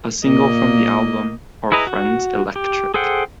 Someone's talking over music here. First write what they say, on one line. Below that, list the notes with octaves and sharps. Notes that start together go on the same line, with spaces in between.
A single from the album, Are Friends Electric?
A#2 A#3 D#5
E4 G#4 B4 D#5 A#5
F#4
G4
G#4 A4 C5 F#5 G5